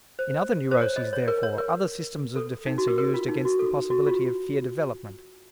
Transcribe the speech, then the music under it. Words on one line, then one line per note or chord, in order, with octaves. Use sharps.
In other neuroses, therefore, other systems of defense are used against the possibility of fear development.
C5
C5
C#5
D#5
C#5
A#4
C#5
A#4
A4
D#4
F#4
A#4
A#4
F4
D#4
F#4
A4
F#4
F4